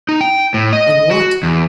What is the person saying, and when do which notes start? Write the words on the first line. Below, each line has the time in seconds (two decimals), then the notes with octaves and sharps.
"And what?"
0.09 D#4
0.21 G5
0.54 A2
0.73 D#5
1.11 F#4
1.43 E2